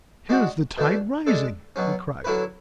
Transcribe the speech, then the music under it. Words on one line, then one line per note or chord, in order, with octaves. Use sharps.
"Here is the tide rising," I cried.
G#3 D4 F#4
B2 A3 D4
G#3 D4 A4
B2 F#3 C#4
D3 F#3 C#4 E4 B4